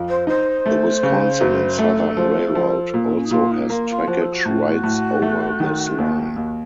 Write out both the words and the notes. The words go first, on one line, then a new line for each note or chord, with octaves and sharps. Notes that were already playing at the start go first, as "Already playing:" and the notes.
The Wisconsin and Southern Railroad also has trackage rights over this line.
Already playing: F2
C5
D#4 C5
A3
C#3
F#2
A3 A4
F3
F3
A#2
C4
C#4
D#4
A#2 F4
D#4
A#3 F4
F4
F3 F#4
A4
F#4
A2
A2
A3
D#3
D#2
D#2